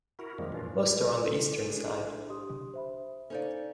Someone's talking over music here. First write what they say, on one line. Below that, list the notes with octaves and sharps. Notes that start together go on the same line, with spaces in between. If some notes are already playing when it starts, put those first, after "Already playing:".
Most are on the eastern side.
E4 F#4 A#4
F2 D#3 F3 G3 G#3 A#3
A#2 E3 C#4 D4 F4
G#2
E4 A4
D4 G#4
G4 C6 D#6
C5 E5 B5
C#4 D#4 A4 C5 D5 F5